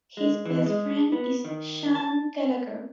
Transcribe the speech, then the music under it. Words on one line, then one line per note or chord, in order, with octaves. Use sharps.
His best friend is Sean Gallagher.
G#3
E3
G#3
B3
D#3
A5